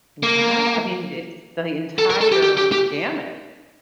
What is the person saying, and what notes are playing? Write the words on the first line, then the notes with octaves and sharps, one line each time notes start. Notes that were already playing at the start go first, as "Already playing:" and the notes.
Wow. I mean, it's the entire gamut.
A#3
A4
A#4
A4
G4
G4
G4
G4